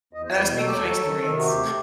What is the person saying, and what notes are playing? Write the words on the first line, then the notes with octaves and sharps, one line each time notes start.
and I was speaking from experience.
E2 D#5
C5
E2
B4
B2
F#3 A4
G4
D#2 A4
F#3
D#3
D#3
C3
F#4
D#2 G4
A3